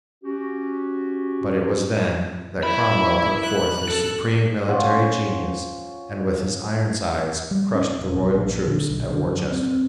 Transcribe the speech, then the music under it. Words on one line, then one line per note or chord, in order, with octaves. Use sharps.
But it was then that Cromwell put forth his supreme military genius and with his Ironsides crushed the royal troops at Worcester.
C#4 F#4 G4
E4 B5
F#6
A4
C#4 F4 C5 F#5
G3
C#4
F1
B1
A#1
D3
B1
D3
F#2
C4